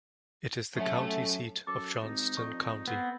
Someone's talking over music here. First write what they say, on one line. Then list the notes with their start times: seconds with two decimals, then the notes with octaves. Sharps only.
It is the county seat of Johnston County.
0.76 F#2 A3 C#4
1.67 F#2 A4 D6
2.02 G#1 D#4
2.37 F2 A4 D5 C#6
2.88 B3 C4